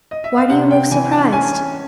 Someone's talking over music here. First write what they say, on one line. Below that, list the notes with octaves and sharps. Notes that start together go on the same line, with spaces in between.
Why do you look surprised?
D#5
E5
F5
C3 F#5
G5
E3 G#5
A5
C#4 G#5